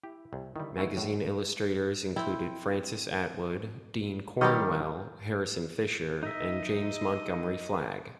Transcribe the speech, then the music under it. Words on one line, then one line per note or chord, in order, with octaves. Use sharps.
Magazine illustrators included Francis Attwood, Dean Cornwell, Harrison Fisher, and James Montgomery Flagg.
E4 G4
C2
D3 D#3 G3 E4
G#3 C#4 D#4 E4 F#4
A2 G#3 F#4 C#5
C4 E4
D#3 G3 G4 A#4 C#5 D#5
D#4 D#5 E5